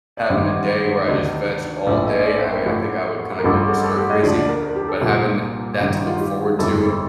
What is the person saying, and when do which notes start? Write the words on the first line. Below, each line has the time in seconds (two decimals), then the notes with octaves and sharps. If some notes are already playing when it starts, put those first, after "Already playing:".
having a day where I just vegged all day, I mean, I think I would kinda go a little stir crazy, but having that to look forward to,
0.17 D5
0.29 A1 G2 D#3 C5
1.04 D#5
1.08 D2 C3 D#3 D5
1.86 A#1 A2 F3 D5
2.06 D#5
2.19 D#5
2.26 D5
2.39 C5
2.52 A#4
2.66 A1 A2 F3
3.39 A#4
3.44 A1 G2 F3 A4
3.83 A4
3.97 G4
4.10 D#5
4.23 D2 D3 F3 D5
4.36 D5
4.49 A#4
4.62 A#4
4.75 G4
4.88 A4
5.01 C2 A#2 F3 F4
5.80 A1 G2 D#3 D#4
5.94 D#4
6.06 F4
6.19 G4
6.58 G1 F2 C3 F3 A4